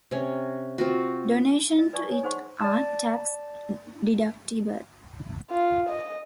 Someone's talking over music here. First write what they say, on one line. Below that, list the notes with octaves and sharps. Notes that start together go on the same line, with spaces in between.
Donations to it are tax-deductible.
C3 C#4
C4 F4 F#4
F4 D#5
E4 B4 D5 G#5 A5 C#6
C#5 G#5
D#4 G#4 C5 F#5 C6 C#6
D5 A5
F4
D#5